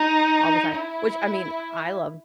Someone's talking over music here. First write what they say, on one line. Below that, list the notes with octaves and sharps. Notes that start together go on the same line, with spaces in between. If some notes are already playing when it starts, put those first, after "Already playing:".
all the time," which, I mean, I love
Already playing: D#4
E4